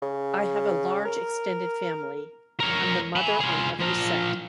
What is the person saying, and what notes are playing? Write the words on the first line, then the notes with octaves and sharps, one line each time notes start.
I have a large extended family; I'm the mother on every set.
C#3
A#4
A#4 C#5
G#5 B5
F4 G#4
F3 A#4